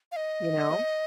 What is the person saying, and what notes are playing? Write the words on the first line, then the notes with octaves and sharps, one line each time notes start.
You know?
F5
D#5